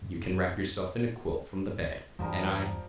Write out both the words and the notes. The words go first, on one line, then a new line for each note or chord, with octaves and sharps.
You can wrap yourself in a quilt from the bed, and I ...
G2 C#3
E2 G2 F3 G3 A#4